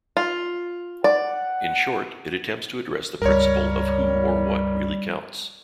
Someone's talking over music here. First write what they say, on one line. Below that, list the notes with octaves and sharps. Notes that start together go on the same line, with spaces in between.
In short, it attempts to address the principle of who or what really counts.
F4
D5 F#5
C#2 G2 G3 A#4 C#5